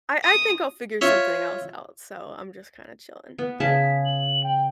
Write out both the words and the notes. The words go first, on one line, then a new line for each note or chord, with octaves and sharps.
I I think I'll figure something else out. So I'm just kinda chilling, but
D#6
F4 C#5 E5
B3
C#3 G#4 A5 B6
F#7
G5